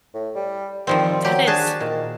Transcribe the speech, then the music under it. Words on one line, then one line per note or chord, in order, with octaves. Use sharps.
That is
A2
G3
D#3 F3 G3 C4
F#3 G4
D4 F#4 G#4 A5
A#2 D#3